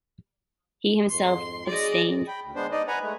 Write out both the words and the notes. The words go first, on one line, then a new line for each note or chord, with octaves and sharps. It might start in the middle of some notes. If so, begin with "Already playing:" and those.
He himself abstained.
F2 G#2 C6
F#3 D#4 G#4 D5 D#5
G5 B5
D2
G#3 B3 D4 C5
D#4 D5 D#5
B4 F#5 G#5 A#5
G#3 A3